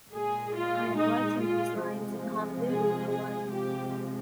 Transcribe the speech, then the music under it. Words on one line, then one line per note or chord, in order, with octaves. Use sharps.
I am writing these lines in Honolulu, Hawaii.
A#2 G#3 G#4
F4
D#4
F4
C3 F3 G#3
G#4
G#4
C3 F3 G#3 G4